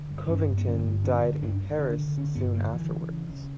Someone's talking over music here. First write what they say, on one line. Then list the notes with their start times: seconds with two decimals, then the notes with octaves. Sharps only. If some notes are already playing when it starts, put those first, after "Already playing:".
Covington died in Paris soon afterwards.
Already playing: D3
0.10 G2
0.29 G2 C#4
0.48 G2
0.58 B3
0.66 D3 C#4
0.86 G2
1.04 D3 C#4
1.23 G2
1.42 G2 D4
1.60 G2
1.79 D3 D4
1.98 D3
2.17 D3 C#4
2.35 G2 B3
2.54 D3 A#3
2.73 D3 E3
2.92 C#3
3.10 C#3
3.29 C#3